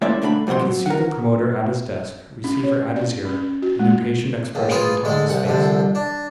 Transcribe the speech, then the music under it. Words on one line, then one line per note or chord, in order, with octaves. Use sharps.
I could see the promoter at his desk, receiver at his ear, an impatient expression upon his face.
G#3 A#3 C#4 E4 D5 E5
D3 A3 D4 E4 B5
F2 G3 C4 F#5 C6
F#3
A#4 F#5
C#4
C#5
D5
C#4
F#4
G#3
C#2 A#2
B3 F4 G#4
D3 G#3
C2 F#5
C2 F2 D3
D4